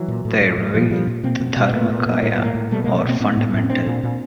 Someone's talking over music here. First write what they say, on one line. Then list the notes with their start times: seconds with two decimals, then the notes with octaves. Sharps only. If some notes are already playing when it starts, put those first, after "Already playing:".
They reveal the dharmakaya, or Fundamental.
Already playing: E3 F#3
0.08 A#2
0.25 A2
0.41 A2
0.58 A2
0.74 A#2 F3 G3
0.91 A#2 F3 G3
1.07 A#2
1.23 B2 A#3 C4
1.40 B2
1.57 B2
1.73 A#2 A3 B3
1.89 A#2
2.06 A#2
2.22 A2 A#3
2.33 B3
2.39 A2
2.44 G#3 A#3
2.55 A2
2.71 B2 G3 A3
2.84 B2 G#3 A#3
2.96 A3 B3
3.05 B2 A#3 C4
3.20 A2 B3 C#4
3.37 A2
3.54 A2
3.63 C#4
3.70 A#2 C4 D4
3.87 A#2
4.03 A#2